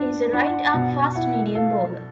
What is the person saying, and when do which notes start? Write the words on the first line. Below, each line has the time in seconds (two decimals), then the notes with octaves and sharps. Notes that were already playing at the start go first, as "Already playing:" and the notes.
He is a right arm fast medium bowler.
Already playing: B3 D4
0.33 D4 F#5
0.74 B2
1.14 E4 F#5
1.55 A4 F5